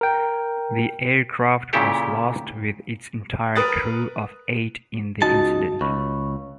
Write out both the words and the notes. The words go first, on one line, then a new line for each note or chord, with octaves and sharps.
The aircraft was lost with its entire crew of eight in the incident.
A#4 G5
A#2 C#3 C#4 E4 G4 A4
A#4 B4 D#6 F#6 A6
C#2 D#4 F#4 A5
C#2 B5 C#6